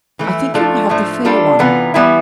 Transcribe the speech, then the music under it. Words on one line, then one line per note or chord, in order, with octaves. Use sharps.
I think you will have the fair one.
E3 A3 E4
F3 A3 D4 F4 A4
A2 F3 A3 D4
G3 D4 F4 A4
C3 E3 B3 F4
E3 G3 B3 E4